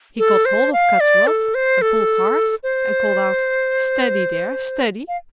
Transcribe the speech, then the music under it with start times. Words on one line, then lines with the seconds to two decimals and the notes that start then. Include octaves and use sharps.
He caught hold of Kat's rod and pulled hard and called out, "Steady there, steady!"
0.19 A4
0.45 C5
0.73 F5
1.00 D5
1.27 A4
1.55 C5
1.82 A4
2.63 C5
5.08 F5